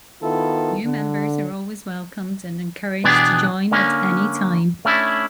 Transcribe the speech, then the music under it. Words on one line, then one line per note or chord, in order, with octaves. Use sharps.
New members are always welcomed and encouraged to join at any time.
D#3 B3 E4 F4 A4
D3
B2 E3 B3 D4 G4 G#4
D3 A#3 C#4
A3 C#4 D4 E4